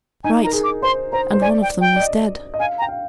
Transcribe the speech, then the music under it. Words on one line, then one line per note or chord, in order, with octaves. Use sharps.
"Right! and one of them was dead."
D#4 G#5
A#4 A#5
G#4
D6
C5 C6
C5 A#5
C5
D5 G#5
G5
G5
D5
D#5
D#5
F5 G#5
A#5
G5
F5